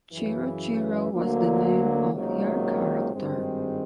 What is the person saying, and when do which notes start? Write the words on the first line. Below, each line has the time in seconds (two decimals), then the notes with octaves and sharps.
Chiruchiru was the name of her character.
0.12 F#2 C#3 E3
1.12 D2 D3 F#3 A#3
2.12 C#2 C3 D#3 F#3 A#3
3.13 G#1 G2 D#3 G#3 C4